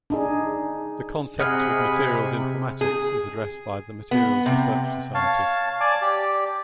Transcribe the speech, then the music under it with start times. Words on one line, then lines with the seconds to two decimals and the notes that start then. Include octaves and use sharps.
The concept of materials informatics is addressed by the "Materials Research Society".
0.10 D4 D#4 G#4
1.39 C3 G#4 D#5 F#5 B5 F6
2.81 G#4
4.11 B3
4.46 C3
5.14 C#5 F5 A5
5.80 D5 G#5 A5 D6
6.02 G4 D5